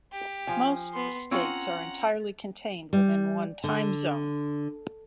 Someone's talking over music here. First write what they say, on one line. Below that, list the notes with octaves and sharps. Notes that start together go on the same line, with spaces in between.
Most states are entirely contained within one time zone.
G4
F3 G#5
B3 C6
C4 C#4 F4 F#5 A#5
G3
D3